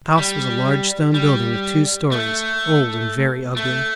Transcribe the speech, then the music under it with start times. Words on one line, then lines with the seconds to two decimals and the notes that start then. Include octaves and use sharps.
The house was a large stone building of two stories, old and very ugly.
0.18 G3
1.14 G3
2.12 A3
3.57 A3